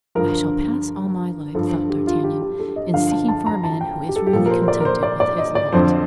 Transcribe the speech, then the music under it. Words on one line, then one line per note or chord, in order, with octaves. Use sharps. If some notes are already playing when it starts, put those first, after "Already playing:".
"I shall pass all my life," thought D'Artagnan, "in seeking for a man who is really contented with his lot."
G2 D3 F3 A#4
G2 D3 F3 A4
G4
F4
G4
G4
A4
D#5
G2 D3 F3 F5
A5
A5
A#5
A5
G5
G4
A4
G4
A#2 F3 A4
A#4
C5
C5
D5
A#4
C5
D5
D5
D#5
D5
F2 D3 F3 C5